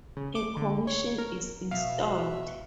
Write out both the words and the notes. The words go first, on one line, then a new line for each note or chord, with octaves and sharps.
A commission is installed.
C#3
D6
D3
C#5
A#4
B2 E5 F5
F#4